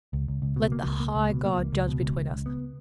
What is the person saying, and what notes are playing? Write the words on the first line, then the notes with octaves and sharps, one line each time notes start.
'Let the high God judge between us.
C#2
C#2
C#2
B2
A#3
C#2
A#3
C#2
B2
A#3
C#2
C#2
B2
C#2
C#2
C#2
B3